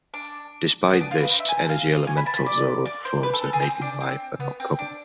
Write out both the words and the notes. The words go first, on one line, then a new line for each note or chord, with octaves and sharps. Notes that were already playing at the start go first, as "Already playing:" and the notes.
Despite this, energy elementals or other forms of native life are not common.
D4
B3
D4
F4
B4
C5
E5
G#5
A5
F5
G#5
B5
A5
B5
D5
D5
C5
B4
A4
A4
G#4
C4
D4
C4
B3
C4
D4